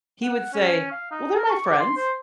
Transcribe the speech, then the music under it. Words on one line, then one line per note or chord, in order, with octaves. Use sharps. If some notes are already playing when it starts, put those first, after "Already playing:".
He would say, "Well, they're my friends."
F#5
C#4
F5
D#4
A#4
C#6
D5
C6
C5